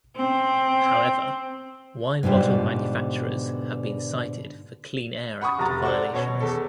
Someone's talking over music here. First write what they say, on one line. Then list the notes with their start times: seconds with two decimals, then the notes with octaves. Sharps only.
However, wine-bottle manufacturers have been cited for Clean Air Act violations.
0.16 C4
2.23 G#2 B2 D3 G3 F4
5.41 F#5 B5 C#6 D#6
5.58 F1 F#4 A#5 A6
5.82 F#4 A4 C5 D5
6.13 B2 C#5
6.40 E2 A4